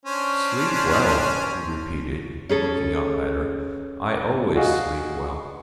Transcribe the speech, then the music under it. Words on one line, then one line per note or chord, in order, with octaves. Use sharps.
"Sleep well," he repeated, looking up at her, "I always sleep well."
C#4 D4 C5
C#4 G#4 A4
F#4 G#4 D#5 F5